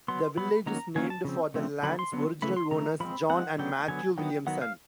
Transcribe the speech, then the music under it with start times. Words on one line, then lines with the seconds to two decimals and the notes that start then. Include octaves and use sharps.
The village is named for the land's original owners, John and Matthew Williamson.
0.08 F#3 B3 C6
0.37 F#3 B3 B5
0.66 D#3 F#3 A#3 C#4 A#5
0.96 D#3 F#3 A#3 C#4 G#5
1.10 A5
1.25 C#3 F3 C4
1.54 C#3 F3 A3 C4
1.83 D3 F#3 B3 B5
1.99 C6
2.12 D3 F#3 B3
2.42 C#3 E3 A3 B5
2.57 C6
2.71 C#3 E3 A3 A#5
3.00 F3 G#3 C4 B5
3.30 F3 G#3 C4 F#5
3.58 D3 F#3 B3 G5
3.88 D3 F#3 B3 G#5
4.18 D#3 F#3 B3 G5
4.47 D#3 F#3 B3 F#5
4.62 F5